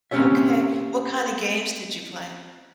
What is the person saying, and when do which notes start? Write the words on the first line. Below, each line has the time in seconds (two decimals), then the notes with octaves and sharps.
Okay. What kinda games did you play?
0.11 A#3 C4 C#4 G4 C#5 E5